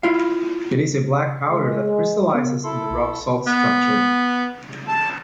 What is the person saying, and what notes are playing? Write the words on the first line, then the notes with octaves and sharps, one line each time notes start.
It is a black powder that crystallises in the rock salt structure.
E4 F4 F5
G#3
B3 A#4 F5
E4 A4 C6
B1
B3
A5